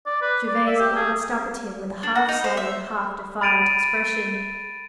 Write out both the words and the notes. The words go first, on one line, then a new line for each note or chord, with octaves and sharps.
Gervase glanced up at him with a half-sullen, half-defiant expression.
D5
B4
D5
E5
G4
G#4
D4
F#4
D#4
C5
E5
B5 A6 D7 D#7 F7